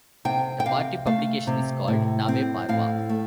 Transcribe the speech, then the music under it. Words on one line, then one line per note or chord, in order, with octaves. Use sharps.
The party publication is called "Nave Parva".
C3 G5
G5
C3 F5
A3 F5
C3
A2
C4
A2 F5
A3